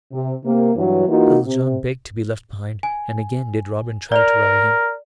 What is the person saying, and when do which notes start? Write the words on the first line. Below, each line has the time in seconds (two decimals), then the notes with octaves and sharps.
Little John begged to be left behind; and again did Robin try to rally him.
0.12 C3
0.45 C3 A#3
0.76 G2 E3 F#3
1.08 E3 A#3 D#4 F4 F#4
1.44 C3
2.83 G#5
4.12 A#4 D5 F7